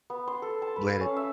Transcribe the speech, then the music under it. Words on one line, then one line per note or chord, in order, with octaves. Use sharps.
let it
B3
C6
A4
A5
B4
F5
C#4
E5